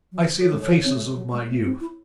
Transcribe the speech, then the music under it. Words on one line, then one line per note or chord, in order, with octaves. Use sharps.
I see the faces of my youth.
F#3
E3 C5
F#3
A4 C#5
G#3
A4 C#5
E3
C4 C#5 E5
A3
G#3
F#3
G#3
A3
C4
E4